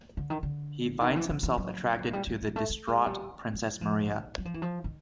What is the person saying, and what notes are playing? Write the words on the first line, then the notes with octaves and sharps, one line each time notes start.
He finds himself attracted to the distraught Princess Maria.
D3
D#3
D3
D#3
E3
E3
E3
F#3
G3
F#3
G3
A3
A3
G#3
G3
F#3
F3
F#3
F3
E3
F3
D#3